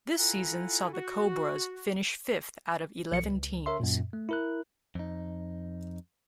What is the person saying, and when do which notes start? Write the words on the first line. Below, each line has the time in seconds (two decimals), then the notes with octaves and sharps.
This season saw the Cobras finish fifth out of eleven teams.
0.17 E4 F4 A4 F#5 G#5 A#5
0.92 F#4
3.12 B1 F3 C#7
3.23 C#2
3.66 A#4 C#5 E5 C6
3.80 F#2 A#2
4.13 A3
4.29 E4 A#4 F#6
4.95 F2 D#4